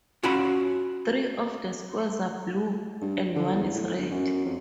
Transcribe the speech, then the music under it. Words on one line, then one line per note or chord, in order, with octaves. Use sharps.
Three of the squares are blue and one is red.
C#4 F4 F#4 C#5 A5 B5
G2
D3
E2
A2
G1
F#2
F2